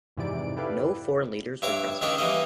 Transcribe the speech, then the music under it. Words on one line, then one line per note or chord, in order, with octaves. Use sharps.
No foreign leaders were present.
F2 G#2 C3 E3 D5 D7
E4 G4 A4 B4 D5 F5
G2 E4 C#5 D6
C#2 D#3 C#4 D4 B5 C#6
E3 G3 A#3 E4 D#5